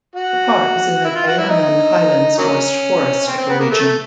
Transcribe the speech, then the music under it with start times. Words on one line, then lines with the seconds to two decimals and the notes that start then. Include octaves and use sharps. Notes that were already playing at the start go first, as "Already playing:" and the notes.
The park is in the Guayanan Highlands moist forests ecoregion.
0.16 F#4
1.05 E4
1.16 F4
1.27 F#4
1.38 E4
1.49 D#4
2.38 F#3 A#3 C#4
3.27 C4
3.38 C4
3.49 B3
3.60 A#3
3.71 A3